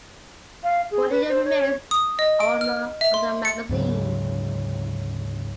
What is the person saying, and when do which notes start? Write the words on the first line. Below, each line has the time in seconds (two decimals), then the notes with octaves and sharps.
Bonnier remains owner of the magazine.
0.63 F5
0.91 G#4
1.11 B4
1.28 C5
1.45 C#5
1.91 D#6
2.19 D#5
2.40 D7
2.61 F6
3.01 E5
3.14 C6
3.45 C#7
3.69 D2 G#2 C#3 F#3